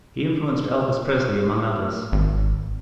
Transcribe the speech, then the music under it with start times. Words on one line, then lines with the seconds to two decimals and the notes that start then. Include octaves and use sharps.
He influenced Elvis Presley, among others.
2.12 G#1